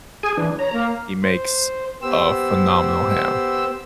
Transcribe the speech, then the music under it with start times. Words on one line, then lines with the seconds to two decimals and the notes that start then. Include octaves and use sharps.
he makes a phenomenal ham,
0.23 G#4 G#5
0.37 E3 D4
0.59 C#5 A#5
0.73 A#3
1.23 C5
2.02 B3 G4 C5 E6